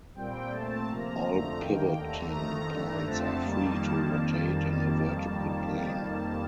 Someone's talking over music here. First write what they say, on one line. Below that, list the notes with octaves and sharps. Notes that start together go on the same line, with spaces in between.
All pivoting points are free to rotate in a vertical plane.
A#2 G3 C4 G5
A#2 A3 C4 A5
C3 F3 A#3 A#5
F2 D3 F3 A3 A#5
F2 D#3 A#3 G5
D#2 D3 A3 A#5
F2 D#3 A3 A#5
G2 D3 A3 A#5
F2 D3 F3 A3 C4 A5
F2 D#3 G3 A#3 A5